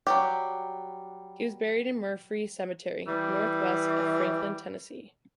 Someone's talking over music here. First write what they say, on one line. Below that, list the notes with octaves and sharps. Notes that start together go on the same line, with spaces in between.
He was buried in Murfree Cemetery, northwest of Franklin, Tennessee.
F#3 G3 G4
E3 G3